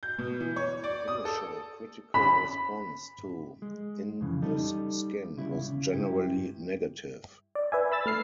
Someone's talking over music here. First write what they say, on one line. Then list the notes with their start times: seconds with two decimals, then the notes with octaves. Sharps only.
Initial critical response to "In This Skin" was generally negative.
0.03 G6
0.18 B2
0.40 E3
0.56 C#5
0.84 D5
1.08 D#6
1.25 A4
2.14 B5
3.62 G#3
4.21 F2 C#3 E3
4.42 G3 D#4 A4
5.37 C#3 G3 E4
5.62 C#3
5.93 G2 E4 G4
7.55 D5
7.72 B4 E5 G#5
7.92 B5 E6 A6
8.06 A3 F6 C7